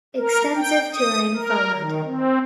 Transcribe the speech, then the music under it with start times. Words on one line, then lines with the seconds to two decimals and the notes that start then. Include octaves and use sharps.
Extensive touring followed.
0.18 A#4
0.56 G5
0.93 D#6
1.35 A#4
1.73 D#3
2.05 C4